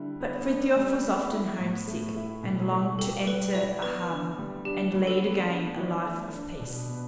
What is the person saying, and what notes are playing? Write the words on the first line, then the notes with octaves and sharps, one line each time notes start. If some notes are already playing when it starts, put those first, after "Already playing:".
But Frithiof was often homesick, and longed to enter a harbor, and lead again a life of peace.
Already playing: D3 G3 E4
B3
D4
G3
B3
E4
A2
A3
E4
B2
A3
G4 A4
G3 B4
E4 D5
B3 B4
D3
G3
D4 G4
G3
A4
B3
D4
E3
A3
D4
B2
B3